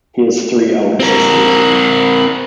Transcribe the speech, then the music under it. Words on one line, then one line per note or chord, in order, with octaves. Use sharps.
He has three elder sisters.
C4 A#4